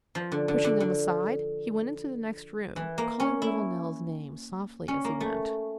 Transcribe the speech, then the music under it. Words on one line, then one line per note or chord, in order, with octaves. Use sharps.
Pushing them aside, he went into the next room, calling little Nell's name softly as he went.
F3
D3
D3
D3
D3
E3
A#3
C#4
E4
C#4
A#3
A3